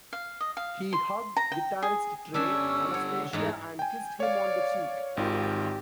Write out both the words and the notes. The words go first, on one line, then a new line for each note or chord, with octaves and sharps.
He hugged guitarist Trey Anastasio and kissed him on the cheek.
F5
D#5
F5
C6
A#5
G5
G#4
D3 G3 C#4 D4 E5 G#5 E6
C#5 F#5
E2 G#2 E3 D#4
G5 G#5
C#5 D5 F5
G#1 D#3 F4 G4